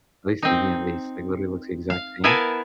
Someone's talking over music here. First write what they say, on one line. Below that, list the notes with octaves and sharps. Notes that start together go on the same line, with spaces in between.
at least to me at least, like literally looks the exact same,
C4 D#4
F5
B3 E4 A#4 F5 G#5 A5